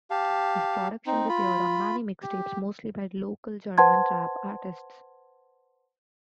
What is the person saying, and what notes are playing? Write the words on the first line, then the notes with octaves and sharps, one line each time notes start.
His productions appeared on many mixtapes, mostly by local German rap artists.
G4 F5 A5
C4 D#4
F4 B5
G4
B4 C5 F#5 A5 C6 G#6